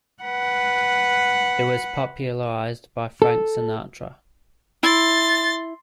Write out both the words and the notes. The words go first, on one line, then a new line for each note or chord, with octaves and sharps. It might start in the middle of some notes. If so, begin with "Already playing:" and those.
It was popularized by Frank Sinatra.
B4 F#5
A4
E4 C6 A6